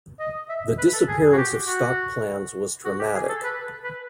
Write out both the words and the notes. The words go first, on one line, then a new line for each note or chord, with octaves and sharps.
The disappearance of stock plans was dramatic.
D#5
E5
B4
A4
G#4
F#4
G4
F#4
F#4
G4
G#4
A4
B4
B4